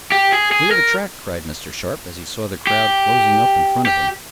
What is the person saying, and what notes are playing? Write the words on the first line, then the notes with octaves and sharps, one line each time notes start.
"Clear the track!" cried Mr. Sharp, as he saw the crowd closing up in front of him.
G4
G#4
G#4
A#4
G4
G4